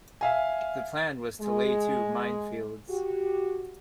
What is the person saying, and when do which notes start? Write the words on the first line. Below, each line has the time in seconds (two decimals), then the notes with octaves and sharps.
The plan was to lay two minefields.
0.21 E5 F5 G#5
1.41 G#3
2.88 F#4 G4